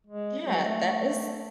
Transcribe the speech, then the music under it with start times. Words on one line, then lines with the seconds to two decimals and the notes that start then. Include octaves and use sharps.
Yeah, that is
0.07 G#3
0.46 F#3
0.65 A3